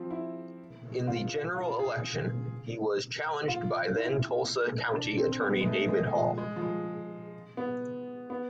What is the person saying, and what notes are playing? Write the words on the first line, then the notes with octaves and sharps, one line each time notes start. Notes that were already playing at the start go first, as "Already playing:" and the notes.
In the general election, he was challenged by then-Tulsa County Attorney David Hall.
Already playing: F3 C4
E4
F4
F4
G#4
F4
E4
D4
C4
B3
G#3
A3
G#3
F3
G#3
F3
G#3
B3
B3